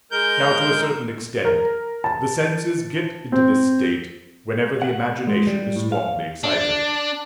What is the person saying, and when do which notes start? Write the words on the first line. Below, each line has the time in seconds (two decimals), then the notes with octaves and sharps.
Now, to a certain extent, the senses get into this state whenever the imagination is strongly excited.
0.11 G#3 A#4 G6
1.45 A#4
2.04 A5
3.32 C4
4.82 F#5
5.27 G#3
5.47 G3
5.76 A2
5.92 F5
6.44 D4